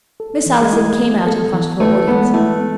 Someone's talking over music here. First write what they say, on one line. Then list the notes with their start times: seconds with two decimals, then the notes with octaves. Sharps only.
Miss Allison came out in front of her audience.
0.20 A4
0.46 E3
0.60 G#3
0.73 E4
1.00 B3
1.27 A4
1.54 E3
1.80 A3 B4
2.07 G#3 B3
2.34 A3 E4
2.61 B3